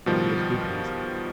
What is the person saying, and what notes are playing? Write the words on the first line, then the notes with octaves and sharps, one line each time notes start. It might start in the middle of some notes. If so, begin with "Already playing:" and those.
And he has good reason.
B2 D#3 F3 G3